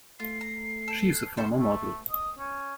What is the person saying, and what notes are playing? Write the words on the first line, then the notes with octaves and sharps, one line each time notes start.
She is a former model.
A3 F4 C7
A#5
A4
C#4 A4 C5
A3
D#5
C#4